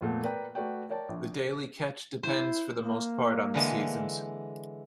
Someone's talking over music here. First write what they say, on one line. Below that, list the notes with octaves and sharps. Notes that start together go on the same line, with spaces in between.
The daily catch depends for the most part on the seasons.
F2 A#2 A3 B3
A#4 B4 D5 G5 A#5
A3 F#4 B4 D5 G5
A#4 C#5 D5 G5 A5
A#1
E4 C5
A#3
D3 E3 G#3